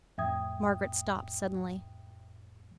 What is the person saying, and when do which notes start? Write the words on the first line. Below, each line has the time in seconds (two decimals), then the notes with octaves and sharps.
Margaret stopped suddenly.
0.18 F2 A2 E5 G5 D#6 G#6